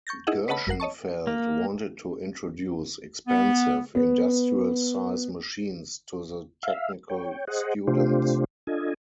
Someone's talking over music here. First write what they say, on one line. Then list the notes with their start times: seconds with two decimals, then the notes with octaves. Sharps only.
Gershenfeld wanted to introduce expensive, industrial-size machines to the technical students.
0.07 C#6 G6 A6 A#6
0.27 D#4 E4 G#4 D#5 E5 F#5
0.48 B4 C#5 D#5 F#5 A5 B5
0.67 G1 F#2 A#4 F#5 C7
0.80 C#5 D#5 A5 C#6
1.27 A#3
3.28 B3
3.95 B3
6.63 E5 F5
7.10 C#5 G5
7.47 G#4 C5 D#5 F#5
7.87 C3 A3 D4 F4 G4 C5
8.67 D4 F4 A4 D#5 G#5